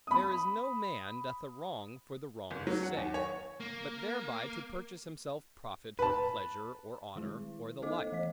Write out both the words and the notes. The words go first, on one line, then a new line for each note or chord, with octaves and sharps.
There is no man doth a wrong, for the wrong's sake; but thereby to purchase himself profit, or pleasure, or honor, or the like.
B5 D#6
F#1
F#3
F#5
D#2
C#5
A#3
B4 A5
D#3 G#3 E4
A3 B3 A4 C5 D#5 D6
E3 A3 D#5 B6